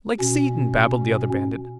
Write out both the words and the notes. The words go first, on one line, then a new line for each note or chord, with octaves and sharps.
"Like Satan!" babbled the other bandit.
B2 C#4